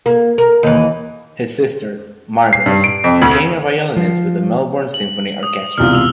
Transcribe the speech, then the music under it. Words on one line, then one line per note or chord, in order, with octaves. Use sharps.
His sister, Margaret, became a violinist with the Melbourne Symphony Orchestra.
A#3
A#4
D#2 E3
C7
G2
D7
F2
D2
F3
F#7
D#6
E1 C2 F4 F6
E6 F7